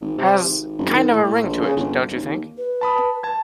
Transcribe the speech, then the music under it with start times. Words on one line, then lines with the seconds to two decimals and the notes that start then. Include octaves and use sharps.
Has kind of a ring to it, don't you think?
0.01 G#1
0.18 C3
0.45 G#1
0.78 F#1
0.91 D#3
1.10 A2
1.24 A2
1.43 A#1
1.62 C#3
1.77 G1
2.10 F1
2.23 D#2
2.57 B4
2.81 A5 B5 D#6
3.23 A5 G#6